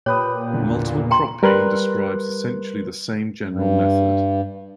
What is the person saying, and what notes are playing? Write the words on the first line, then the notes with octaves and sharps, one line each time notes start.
Multiple cropping describes essentially the same general method.
A#2 G4 B4 C#5 D#6
G1 E2
G5 A#5 C6
G3 A#4 B4 C6 F#6
G2